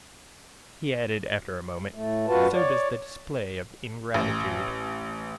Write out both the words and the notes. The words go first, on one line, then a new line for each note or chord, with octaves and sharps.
He added after a moment: "So does the display of ingratitude."
A2 A3
F#2 F4 F#4 B4 A5
C#5 D5
A1